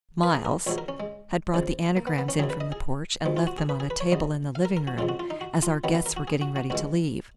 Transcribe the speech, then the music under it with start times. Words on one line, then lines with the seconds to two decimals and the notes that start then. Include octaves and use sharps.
Miles--had brought the anagrams in from the porch and left them on a table in the living room, as our guests were getting ready to leave.
0.23 B4
0.35 G#4
0.45 A#4
0.67 A#1 G#2 F#3 C#5
0.78 A#4
0.88 C#4
1.00 G#3
1.54 D#2 C#3 F3
1.97 A#3
2.07 B3
2.18 B3
2.29 C#4
2.39 D#2 C#3 F#3 G#4
2.50 B4
2.60 D#5
2.72 G#4
3.25 B1 A#2 F3 G#3
3.37 F4
3.47 F#4
3.58 G#4
3.69 B4
3.80 G#4
3.90 B4
4.00 C#5
4.12 D#2 C#3 F#3 D#5
4.55 F5
4.65 A#4
4.77 A#4
4.87 F#4
4.98 F2 C#3 G#3 F4
5.09 F#4
5.19 F4
5.30 D#4
5.41 F#4
5.62 F4
5.84 F#2 D#3 F#3 B3
5.95 B3
6.06 A#4
6.17 F#4
6.28 G#4
6.41 F#4
6.56 F#4
6.70 C#2 B2 G#3 F#4